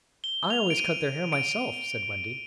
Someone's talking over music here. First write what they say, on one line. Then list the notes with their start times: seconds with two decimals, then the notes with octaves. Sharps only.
"I always cut their hair myself," said Wendy.
0.24 G7
0.50 F7
0.70 D7
0.78 D#7
1.32 D7